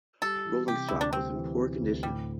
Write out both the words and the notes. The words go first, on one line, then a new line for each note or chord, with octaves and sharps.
Rolling stock was in poor condition.
G3 A4
E3
C3 G4
D2 E4
D4
G3 C4
E3
C3
D2
A2 G3